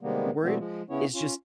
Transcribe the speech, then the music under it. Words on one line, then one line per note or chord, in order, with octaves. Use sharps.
worried, is just
C3 D#3 G3 G#3 A#3 B3
B2 E3 G3 A3 B3 C4
F3 G#3
C#3 B3 C#4 E4 C#5
C#4 F4